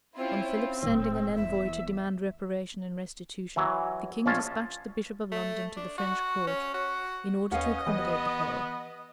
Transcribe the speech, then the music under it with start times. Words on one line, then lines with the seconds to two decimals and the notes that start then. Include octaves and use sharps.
On Philip's sending an envoy to demand reparation and restitution, the king despatched the bishop of London to the French court, in order to accommodate the quarrel.
0.17 C4 C#4 E4 F4
0.83 D#1 A2
1.35 E2 E5
3.56 E3 F#3
4.26 A#1 C#4 F4 F5 A5
5.32 A3
5.77 D4
5.98 F#4
6.47 C#4
6.74 F#4
7.52 D#2 C#4 B4 D#5 F5 F#5
7.87 E3 B3 G4